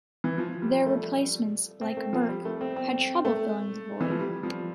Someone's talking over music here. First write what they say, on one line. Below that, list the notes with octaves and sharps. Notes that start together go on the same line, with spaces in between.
Their replacements, like Berck, had trouble filling the void.
E3
F3
G3
A3
C4
A3
F3
G3
A3
C4
C4
A3
E3
F3
G3
F3